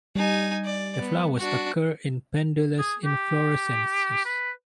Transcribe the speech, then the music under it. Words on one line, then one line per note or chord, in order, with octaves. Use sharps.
The flowers occur in pendulous inflorescences.
G3 D#4 G#5
D5
B3
D4 F#4
G#4
G4
B4